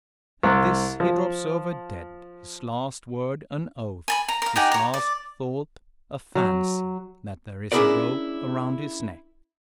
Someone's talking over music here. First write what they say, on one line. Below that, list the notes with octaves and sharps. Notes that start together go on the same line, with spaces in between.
At this he drops over dead, his last word an oath, his last thought a fancy, that there is a rope around his neck!
C2
F3
G#5 A5 B5
A#5
A#4 F5
D#4 G4 F#5 G#5
C#5 A#5
D5
F#3
C#4 D4 E4 G#4 A#4 D5